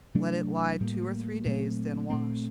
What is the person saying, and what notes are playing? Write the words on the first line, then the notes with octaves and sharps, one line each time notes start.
Let it lie two or three days, then wash.
C3 F#3 A3 D4
A2 G3 A#3
A#2 F#3 A3 C4
A#2 A3 C4